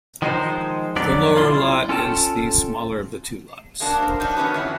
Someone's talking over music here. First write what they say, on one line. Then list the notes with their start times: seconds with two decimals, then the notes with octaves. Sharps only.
The Lower Lot is the smaller of the two lots.
0.22 D#3 F3 G#3 D#4 G4 C5
0.96 F2 F#3 B3 C#4 D4 D5
1.35 B1 E4 F4 D5 C6
1.89 C#4 F4 A4 G5 A5
3.80 G#3 A#3 D4 F#4
3.99 A#4 C5
4.20 F#3 D4 D#4
4.37 D#3 B3 C#4 F#4 B4
4.54 F2 E3 F#3